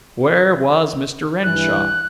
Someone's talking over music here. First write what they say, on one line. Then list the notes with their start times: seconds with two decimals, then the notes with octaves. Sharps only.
Where was Mr. Renshaw?
1.44 G2 E3 F#6